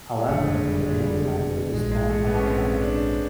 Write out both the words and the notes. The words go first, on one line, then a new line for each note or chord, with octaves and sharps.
However, the native language is not one of them.
G#3
F#1 F2 D3 A3
G#3
G3
G#3
G3
A#1 G#2 E3 G#3
G#3
A3
B3
C#4
C4
D4